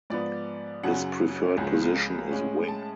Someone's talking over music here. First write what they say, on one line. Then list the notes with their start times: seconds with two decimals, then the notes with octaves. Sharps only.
His preferred position is wing.
0.10 G#2 F3 B3 D5
0.83 F#2 C#3 F#3 C#4 F#5
1.58 C#2 C#3 F3 G#3 G#5
2.31 A2 G#3 C#4
2.68 A5